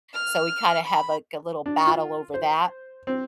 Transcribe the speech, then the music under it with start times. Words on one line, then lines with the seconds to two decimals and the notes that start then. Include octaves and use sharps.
So we kind of have, like, a little battle over that
0.14 F6
0.85 B5
1.66 D4
1.87 F4
2.34 C5
3.07 C4